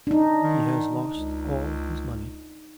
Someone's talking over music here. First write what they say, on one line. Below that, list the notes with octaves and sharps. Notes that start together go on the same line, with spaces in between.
He has lost all his money....
D4 D#4
D#3
C#2